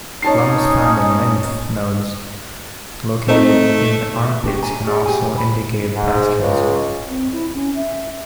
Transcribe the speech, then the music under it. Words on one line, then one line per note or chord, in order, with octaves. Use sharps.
Lumps found in lymph nodes located in the armpits can also indicate breast cancer.
C#4 D#4 C#5 A5 C7
A3 C4 D#4
F#4 B4 E5
D4 F#4 G4
D4 D5 G#5 A#5
F#4 G#4 D5
G4 C5 G#5
B5
G#2
C#2
C4
E4
C#4
E5